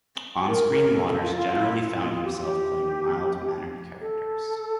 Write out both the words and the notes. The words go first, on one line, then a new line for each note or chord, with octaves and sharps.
On screen Waters generally found himself playing mild mannered characters.
A#4
A#4
A4
A4
F4
F4
E4
F4
E4
F4
F4
G4
F4
G4
A4